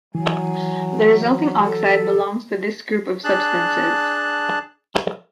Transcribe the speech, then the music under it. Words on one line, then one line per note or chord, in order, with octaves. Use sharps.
The resulting oxide belongs to this group of substances.
E3 F#3 G#5
A4
D4 G#4 A5 F#6